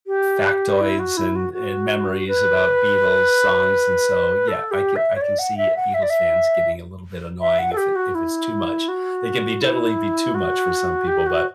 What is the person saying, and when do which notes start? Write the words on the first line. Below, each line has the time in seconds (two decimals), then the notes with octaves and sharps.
factoids and and memories about Beatles songs, and so, yeah, I can I can see Beatles fans getting a little bit annoying if it if it's too much. It can be definitely be too much for some people, but,
0.07 G4
0.81 E4
0.99 F#4
1.17 E4
1.36 F#4
1.53 F#4
2.27 B4
4.48 A4
4.71 G4
4.96 E5
5.15 C#5
5.21 D5
5.39 F#5
5.57 E5
5.76 F#5
5.94 E5
6.03 D5
6.10 E5
7.41 E5
7.59 F#5
7.73 A4
7.77 G4
7.95 F#4
8.15 E4
8.88 F#4
9.61 E4
10.35 F#4
11.07 G4
11.26 F#4